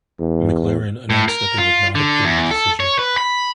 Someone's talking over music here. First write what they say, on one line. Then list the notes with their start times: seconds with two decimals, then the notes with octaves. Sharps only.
McLaren announced that they would not appeal the decision.
0.20 E2
1.10 A2
1.28 A#4
1.58 F4
1.95 D3
2.24 E2
2.51 A4
2.80 C#5
2.99 B4
3.18 B5